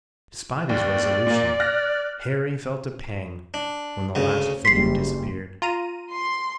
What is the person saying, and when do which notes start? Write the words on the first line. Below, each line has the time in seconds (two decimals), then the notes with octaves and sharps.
Despite his resolution Harry felt a pang when the last figure disappeared.
0.69 D#2 D5
1.27 A#2 A#3
1.60 F6 F#6 A#6
3.54 D4
4.15 D2 C#3
4.65 F#1 G3 C6 B6 C7
5.62 F4 A#5 D#7
6.12 C6